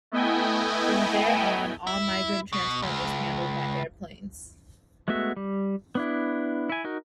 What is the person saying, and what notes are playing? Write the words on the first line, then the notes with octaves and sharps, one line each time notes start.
From there on all migrant transport was handled by airplanes.
A3 B3 E4 D#5 G5 G#5
E4
B2
C#2
G#3 A3 B3 F#4 E5
G3
B3 D4 E4
E4 G#5
D#4 F#4 A#4